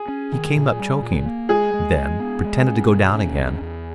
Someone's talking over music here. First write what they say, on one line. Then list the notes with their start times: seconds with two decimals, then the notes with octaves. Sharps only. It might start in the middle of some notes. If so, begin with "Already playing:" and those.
He came up choking, then pretended to go down again.
Already playing: G#4
0.08 C#4
0.32 D#3
0.56 A#2
0.79 G3
1.02 A#2
1.26 A#3
1.49 G#3 G#4
1.74 G#3
1.97 G#3
2.20 B3
2.44 G#3
2.67 C#4
2.91 B2
3.15 C#4
3.38 E2
3.61 E2